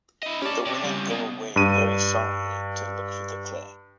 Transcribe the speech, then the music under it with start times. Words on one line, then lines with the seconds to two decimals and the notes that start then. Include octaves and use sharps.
The women go away very solemnly to look for the clay.
0.23 E4 D#5
0.42 C#4 G4 D5 A5
0.66 C3
0.84 C#3 G3
1.10 B2
1.56 G2 D#7